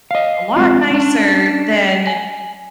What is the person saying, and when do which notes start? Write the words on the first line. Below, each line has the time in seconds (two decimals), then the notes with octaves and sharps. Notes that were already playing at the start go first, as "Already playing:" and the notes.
a lot nicer than
0.11 D#5 F5
0.56 G#3 C4 F4
0.91 C#4 D4
2.07 G#5